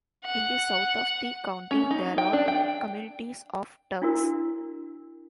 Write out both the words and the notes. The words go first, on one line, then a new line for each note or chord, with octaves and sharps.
In the south of the county there are communities of Turks.
F#5
C#4
D#4
G5
D4
G5
D4 E4 F#4 A#4